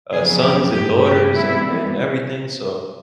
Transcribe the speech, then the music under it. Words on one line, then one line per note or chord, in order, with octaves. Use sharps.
uh, sons and daughters and and everything, so,
F2 C#3 F#3 B3 G#4
G4
G2 E3 A3 G4
G4
C3 E3 G3 B3 E4